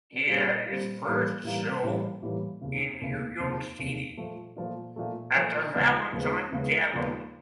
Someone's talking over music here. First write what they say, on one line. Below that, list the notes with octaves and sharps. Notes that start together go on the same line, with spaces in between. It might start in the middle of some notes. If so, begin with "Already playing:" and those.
He had his first show in New York City at the Valentine Gallery.
A#2 G3 C4
A#2 G3 C4
A2 E3 G3 A#3
A2 E3 G3 A#3
A2 E3 G3 A#3
A2 E3 G3 A#3
F1 D#2 C#3
F1 D#2 C#3
F1 D#2 C#3
F1 D#2 C#3
A#2 F3 A3
A#2 F3 A3
A#2 F3 A3
A#2 F3 A3
D#2 C#3 F3 G#3 B3
D#2 C#3 F3 G#3 B3
D#2 C#3 F3 G#3 B3
D#2 C#3 F3 G#3 B3